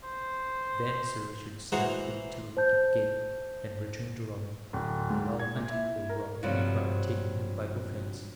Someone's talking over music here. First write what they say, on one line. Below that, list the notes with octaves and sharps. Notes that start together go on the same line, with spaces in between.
Then Sir Richard snapped to the wicket gate, and returned to Robin. "Well met, bold Robin," he cried, taking him by both hands.
C5
E3 G#3 F#4 C5 A#5
C5 A5 G6
D1
G#2
G#6
A#2
E4
A#4
G2 C3 F3 F#3 A3